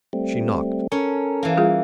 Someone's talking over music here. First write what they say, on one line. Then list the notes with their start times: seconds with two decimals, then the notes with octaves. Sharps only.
She knocked.
0.13 G3 A3 C4
0.92 C#4 A4 A#4
1.43 E3 A#3
1.57 G3 F4 G#4